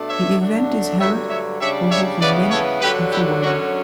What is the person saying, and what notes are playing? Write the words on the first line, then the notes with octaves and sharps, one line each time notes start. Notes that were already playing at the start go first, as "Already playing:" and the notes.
The event is held over for men and for women.
Already playing: B2 A3 D4
C#5 E5
D3 F#3 A3 D4
G2 D3 F#3 C#5 E5
C#5 E5
C#3 G3 D4 C#5 E5
C#5 E5
C#3 E3 B3 B4 D5
A4 C#5
G2 D3 F#3 G4 B4
E4 G4
F#2 D3 F#3 C#4 D4 F#4